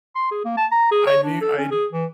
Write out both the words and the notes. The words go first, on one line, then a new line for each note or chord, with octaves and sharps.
I knew, I kn
C6
G#4
A#3
A5
A#5
G#4
C#5
D4
A4
C#4
G#4
E3